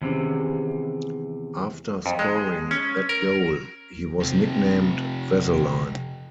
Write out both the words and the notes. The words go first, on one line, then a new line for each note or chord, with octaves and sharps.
After scoring that goal, he was nicknamed "vaseline".
E2 C3 D#3 C#4
F2
G#3
C#4
A#4
C3 F3